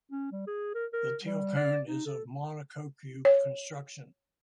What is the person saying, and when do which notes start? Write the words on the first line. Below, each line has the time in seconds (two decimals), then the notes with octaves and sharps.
The tailcone is of monocoque construction.
0.11 C#4
0.32 G3
0.47 G#4
0.74 A#4
0.93 A#4
1.23 G3
1.56 D5
1.88 D#4
2.06 A4
3.25 C#5